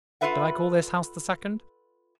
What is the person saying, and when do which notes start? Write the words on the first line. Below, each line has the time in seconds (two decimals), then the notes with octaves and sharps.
Did I call this house the second?
0.21 F4 F#4 A4 B4 E5 F#5